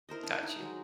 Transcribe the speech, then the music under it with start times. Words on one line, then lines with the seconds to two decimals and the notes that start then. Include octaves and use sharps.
Got you.
0.09 E4 A#4 C5 D#5
0.23 D4
0.43 D#4
0.59 F#3 G#3